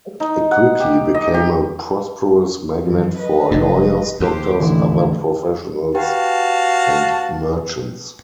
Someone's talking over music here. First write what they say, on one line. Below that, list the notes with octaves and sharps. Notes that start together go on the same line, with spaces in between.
It quickly became a prosperous magnet for lawyers, doctors, other professionals, and merchants.
D#4
F#5
G4
D#5
G4
F#2 E3
B4 D#5
F1 G2
D#2 G4 C5
A1 D3 E4
F#4 G4 B4 F5 G5 A5